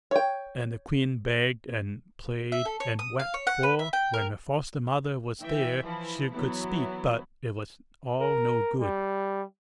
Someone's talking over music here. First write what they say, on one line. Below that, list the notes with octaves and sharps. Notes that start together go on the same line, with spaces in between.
And the queen begged and prayed, and wept; for when her foster-mother was there, she could speak--but it was all no good.
C#5 G5
E5
A4
C#5
D#6
F5
C#5
F#5
B4
E5
G5
A#4
E3 E5 G5
E3 F3 E4
E3 F#3 B3 E4
A#4
G3